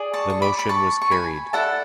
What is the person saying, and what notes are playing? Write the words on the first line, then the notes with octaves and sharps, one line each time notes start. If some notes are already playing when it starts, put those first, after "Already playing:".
The motion was carried.
Already playing: G#4 D5
A5 C#6
C#6
B5 D6
B5
A5 C#6
C#6
G#5 B5
E4 A4 D5 F#5 A5